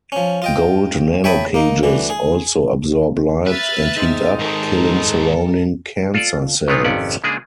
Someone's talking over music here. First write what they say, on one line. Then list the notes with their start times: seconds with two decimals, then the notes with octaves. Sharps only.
Gold nanocages also absorb light and heat up, killing surrounding cancer cells.
0.12 F3 C#4
0.42 F4 D#5 G5
1.24 C#5 E5 G5 A5 B5 D#6
1.54 A#3 D#4
1.83 D2 D3 E3
2.10 G#4
3.46 B4 E5 F6 A6
3.97 G#3 C4 D#4
4.39 G#2 D#3 A4 A#4
6.14 F4 A4 D5
6.68 D#3 E3 G#3 B3 C4 F4
6.84 G#1 F2 C3 B3 C#4 D5
7.24 C#3 G#3 A#3 D4 G#4